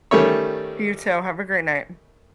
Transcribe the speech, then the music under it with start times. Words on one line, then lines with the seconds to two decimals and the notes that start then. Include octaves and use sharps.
You, too, have a great night.
0.11 D#3 G3 A3 C#4 C#5